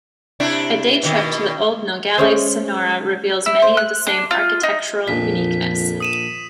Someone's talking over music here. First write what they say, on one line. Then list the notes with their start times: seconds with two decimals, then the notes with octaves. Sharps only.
A day trip to old Nogales, Sonora reveals many of the same architectural uniqueness.
0.40 C3 D4 E4
1.03 B2 D#3
2.18 G#3 C#4 C5
3.46 E4
3.62 C5
3.77 F#6
4.07 D4
4.31 F4
4.63 D#4
5.08 A#1 F2 B6
6.00 D#6 D#7 E7